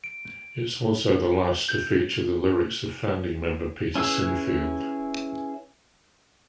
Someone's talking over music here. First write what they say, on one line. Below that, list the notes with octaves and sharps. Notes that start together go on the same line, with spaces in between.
It's also the last to feature the lyrics of founding member Peter Sinfield.
D7
G6
C#4 E4 G#4 B4 E6